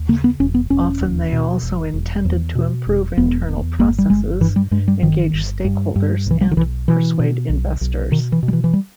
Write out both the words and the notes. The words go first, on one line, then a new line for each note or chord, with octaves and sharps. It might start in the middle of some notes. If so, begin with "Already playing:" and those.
Often they also intended to improve internal processes, engage stakeholders and persuade investors.
Already playing: D#2
C#3 A#3
B3
E1 C#4
B3
E1 C#4
D#2
B2
E1
E1
E2
B2
E1
E1 B3
E2
G1 A#3
G3
G1 G#3
G2 E3
G3
G2 G#3
G3
G1 D#3
G1
G2
G2
B1 E3
G3
D#3
B1 E3
B2 E3
B2
B1
B1
B2 D#3
E3
B2
G3
E3
E3
G3